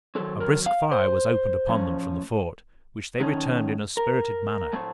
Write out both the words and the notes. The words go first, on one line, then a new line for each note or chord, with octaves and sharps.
A brisk fire was opened upon them from the fort, which they returned in a spirited manner.
D#3 F#3 C4 A4
A#4
F5
C5
A2 F3 A3 C#4
D#3 A3 C#4
A#4
A2 A3 C4